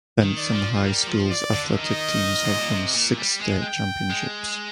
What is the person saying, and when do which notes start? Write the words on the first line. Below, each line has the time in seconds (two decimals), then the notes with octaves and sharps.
Benson High School's athletic teams have won six state championships.
0.22 D#3
0.38 D5
0.53 F3
0.84 G3 A#4
1.07 F3
1.31 D5
1.54 D3
1.67 F3
1.77 D#3 D#5
2.45 G#2
2.58 A#2
2.71 C3
2.94 A#2
3.17 G3
3.40 G#3
3.64 G5
4.10 G#3